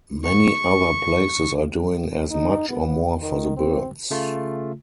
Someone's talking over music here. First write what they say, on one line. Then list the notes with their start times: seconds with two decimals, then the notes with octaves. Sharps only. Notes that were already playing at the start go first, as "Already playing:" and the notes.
Many other places are doing as much or more for the birds.
0.24 C#6
2.31 D#4
2.69 B3
3.22 D#3
3.57 C4
4.11 C#3 A3 F4